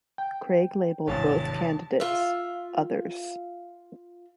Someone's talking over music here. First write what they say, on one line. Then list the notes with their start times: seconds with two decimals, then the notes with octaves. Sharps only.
Craig labelled both candidates: "Others".
0.18 G5
1.08 G#1 E2 G2 C3 C#5 A5
2.00 F4 E5